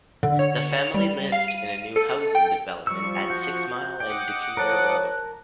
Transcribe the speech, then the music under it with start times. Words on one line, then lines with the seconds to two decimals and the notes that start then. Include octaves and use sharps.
The family lived in a new housing development at Six Mile and Dequindre Road.
0.23 D3
0.39 C#5
0.77 F7
0.94 G3
1.32 F5
1.48 D#7
1.96 A4
2.35 G5
2.87 F3 G3 C#6 E6
3.30 F#4 G6
4.00 D#5 F#5 G5 D6
4.57 F3 A#4 C5 C#5 A5 F#6